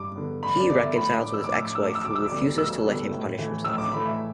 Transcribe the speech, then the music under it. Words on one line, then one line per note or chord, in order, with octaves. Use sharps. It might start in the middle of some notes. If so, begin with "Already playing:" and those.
He reconciles with his ex-wife, who refuses to let him punish himself.
Already playing: G2 D6
D3 B3
G2 B5
D5
D3 B3 D5
E5
A2 B5
A3 D4 D6
E6
D6
A2 E6
D6
A3 D4 E6
D6
E6
D2 D6
E6
D3 G3 B3 D4 D6
D2 E6
D3 G3 B3 D4
A2
E3 A3
A2 E6
D6
E3 A3 B5
E5